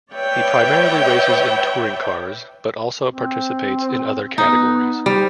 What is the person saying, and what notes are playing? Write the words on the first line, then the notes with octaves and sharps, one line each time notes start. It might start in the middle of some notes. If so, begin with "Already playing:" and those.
He primarily races in touring cars, but also participates in other categories.
B4 C#5 D5 E5 G5
C4
B3 D#4
G3 C5